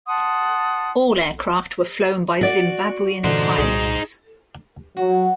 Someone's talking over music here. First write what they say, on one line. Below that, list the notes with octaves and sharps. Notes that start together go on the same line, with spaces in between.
All aircraft were flown by Zimbabwean pilots.
F#5 A5 C6 D#6
F#4 D5
A#2 D3 E3 D4 D#4 C5
C2 A#2 G3 G#4
F#3 F#4